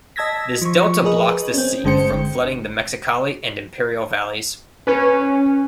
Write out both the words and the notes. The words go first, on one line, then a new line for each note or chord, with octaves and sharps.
This delta blocks the sea from flooding the Mexicali and Imperial Valleys.
D#5 A5 E6 G#6 A#6 B6
F3 C#6
G#4 A#4 B4 D#5
C4 C#4
G1 D3 G#3 C5 G5 C#7
C#4 B4